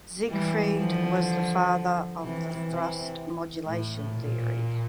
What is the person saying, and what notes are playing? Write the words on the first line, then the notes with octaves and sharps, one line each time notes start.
Siegfried was the father of the "thrust modulation theory".
E3 G3
D3 F3
C3 E3
C3 E3
A2
A#2